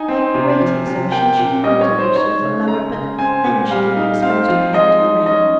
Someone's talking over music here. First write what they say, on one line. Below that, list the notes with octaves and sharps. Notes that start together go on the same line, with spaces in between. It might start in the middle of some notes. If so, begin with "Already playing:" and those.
By great exertion she might have reached a little lower; but then she would have exposed her head to the rain.
Already playing: D#4 G#5
C4
C3
F3
C3
A#3 G5
A#2
G3 D#5
C#5
D#4
C5
D#4 C#5
C#3
G#3 A#5
C#3
C4 G#5
A#2
G3 F5
D#4
C4 F5
F3
G#3 D#5
D#4
C#4 D#5